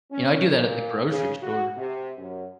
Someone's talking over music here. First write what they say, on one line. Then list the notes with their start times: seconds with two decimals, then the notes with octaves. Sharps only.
You know, I do that at the grocery store.
0.11 C#4
0.46 A#2
1.08 C#3
1.42 F#4
1.77 C3
2.18 F#2